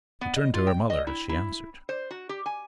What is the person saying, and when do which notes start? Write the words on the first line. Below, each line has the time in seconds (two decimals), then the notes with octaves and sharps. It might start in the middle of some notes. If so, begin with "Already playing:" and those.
She turned to her mother as she answered.
0.21 B3
0.36 D#5
0.54 F4
0.67 G5
0.90 D#5
1.07 E4
1.29 E4
1.89 C5
2.11 F#4
2.29 G4
2.46 G#5